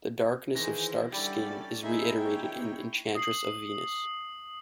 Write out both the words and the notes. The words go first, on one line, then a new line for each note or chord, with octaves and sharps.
The darkness of Stark's skin is reiterated in "Enchantress of Venus".
D#3 E3 E4 G#4 C5 A#6
D3 G3 C#4 E4 G4 A4 D5 B5
A#3 D#4 E4 G#4 E5
A#3 D4 C#5 G5
D#6 C7 F#7